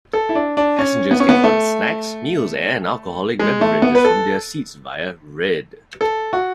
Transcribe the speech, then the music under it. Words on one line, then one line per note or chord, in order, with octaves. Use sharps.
Passengers can order snacks, meals, and alcoholic beverages from their seats via "Red".
A4
E4
D4
D4
C#4
B3
C#4
B3
A3
G#3
A3
B3
B4
A4
A4
F#4